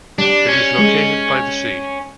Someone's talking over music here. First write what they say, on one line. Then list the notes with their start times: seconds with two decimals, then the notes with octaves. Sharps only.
It is located by the sea.
0.18 G3 D4
0.48 C#4
0.78 G#3